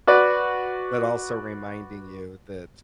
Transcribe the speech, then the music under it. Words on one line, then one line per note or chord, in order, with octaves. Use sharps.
but also reminding you that
F#4 B4 D5